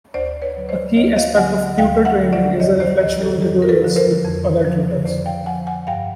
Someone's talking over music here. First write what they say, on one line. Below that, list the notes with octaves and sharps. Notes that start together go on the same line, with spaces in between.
A key aspect of tutor training is the reflection on tutorials with other tutors.
D2 C5 D5
B4 C#5
D3 F#3
C5 D5
D2 C#5 D#5
D#5 F5
D3 F#3 F#5 G#5
D2 F5 G5
E5 F#5
D3 F#3
D5 E5
F2 C#5 D#5
C5 D5
D3 F3 C#5 D#5
G4 A4
F2 G4 A4
A#4
A4 B4
D3 F3
A#4 C5
F2
D3 F3
F2 C5 D5
F5 G5
D3 F3 F#5 G#5
F#5 G#5
G2 F5 G5